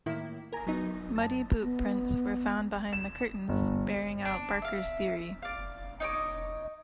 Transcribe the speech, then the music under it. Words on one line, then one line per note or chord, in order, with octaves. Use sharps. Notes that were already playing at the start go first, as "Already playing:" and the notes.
Muddy boot-prints were found behind the curtains, bearing out Barker's theory.
A2 D#3 A#3 E4
A#4 G#5 A#5
F#3 B3 D#4
F#2 A5
B3
E7
G1
D4
E5 F5
D5 F5
D#4 C#5 D#5 D6